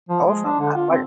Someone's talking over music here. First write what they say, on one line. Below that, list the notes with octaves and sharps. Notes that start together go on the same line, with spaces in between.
I wasn't uh, like
F3
G#3
D4
D3
F4
C4